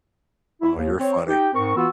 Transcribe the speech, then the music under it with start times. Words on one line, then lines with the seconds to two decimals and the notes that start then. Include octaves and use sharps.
Oh, you're funny.
0.62 E4
0.76 D#2
1.00 C4 C#5
1.28 D#4 G4 G5
1.54 G#2 C4 A#4 C#6
1.76 E3 B3 F4 F#4 E6